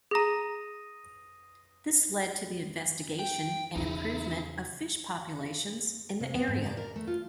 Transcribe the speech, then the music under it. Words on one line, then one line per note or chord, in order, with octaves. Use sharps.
This led to the investigation and improvement of fish populations in the area.
G#4 A#5 D#6 A#6 D#7
G5
E2 C#3 D#4 E4
C3
B3
G#2
D5
A#4
A3
F4